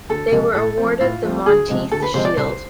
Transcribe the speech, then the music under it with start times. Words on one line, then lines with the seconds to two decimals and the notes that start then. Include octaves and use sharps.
They were awarded the Monteith Shield.
0.09 D2 A4
0.32 C3 F3 G#3
0.55 A2 A4
0.78 F3 A3 C4
1.00 A2 F4
1.23 F3 A3 C4
1.46 D2 G#4
1.68 C3 F3 G#3 C4
1.91 D2 A4
2.02 B4
2.14 C3 F3 G#3 C4 C5
2.25 D5
2.37 C2 C5